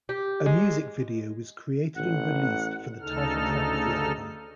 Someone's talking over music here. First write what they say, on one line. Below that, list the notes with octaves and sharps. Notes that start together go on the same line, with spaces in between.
A music video was created and released for the title track of the album.
G4
G#3
A1 F#5
D2 C#3 D#4 A4 F6